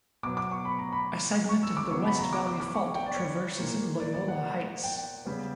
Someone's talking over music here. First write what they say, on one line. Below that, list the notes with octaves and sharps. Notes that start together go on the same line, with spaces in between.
A segment of the West Valley Fault traverses Loyola Heights.
B2 F#3 B3 D6
D6
C#6
B5
A#5
B5
C#6
E6
D6
C#3 F#3 B3 C#6
B5
A#5
D6
D6
D6
C#6
G5
D5
C#5
A#2 A#3
D5
D5
F#5
G5
C#3 G3 B3